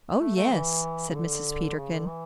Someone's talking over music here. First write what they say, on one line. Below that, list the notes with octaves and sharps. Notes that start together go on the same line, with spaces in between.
"Oh, yes," said Mrs. Peterkin.
A3
A3
E3
C#3
D3
C#3
D3
E3